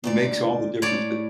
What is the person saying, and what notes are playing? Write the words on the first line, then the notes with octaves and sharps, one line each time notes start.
makes all the difference that
D2 A#2 D5
A2 C#5 D5